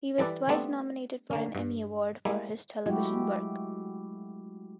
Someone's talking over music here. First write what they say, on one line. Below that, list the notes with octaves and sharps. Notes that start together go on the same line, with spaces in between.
He was twice nominated for an Emmy Award for his television work.
E3 G3 A4 B4 D5
G3 A3 B3 C4 D4 A4
D3 A#3 C#4
G2
G3 G#3 A#3 E4
F#3 G#3 A3 E4 F#4 G4